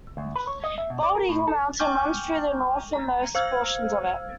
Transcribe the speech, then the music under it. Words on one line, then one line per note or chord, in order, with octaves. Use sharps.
Bald Eagle Mountain runs through the northernmost portions of it.
D2
B4
C#5
D#5
E5
B2
D5
A#4
A2
A4
G5 G#5 C#6 D6 F6 G6
A#5
C5 F5 E6 F6 G#6